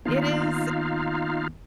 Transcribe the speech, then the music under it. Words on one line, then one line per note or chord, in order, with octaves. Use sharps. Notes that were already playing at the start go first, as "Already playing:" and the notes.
It is
D#3 A#3 B3 D#4 F4 F5